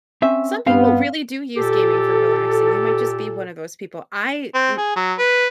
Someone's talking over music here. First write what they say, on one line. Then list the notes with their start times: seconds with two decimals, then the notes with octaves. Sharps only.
Some people really do use gaming for relaxing, you might just be one of those people. I mm
0.22 C4 C#4 E5
0.66 G2 B3 C4 F5
1.56 A#2 G4 A4
4.55 C4
4.78 G#4
4.96 F#3
5.19 B4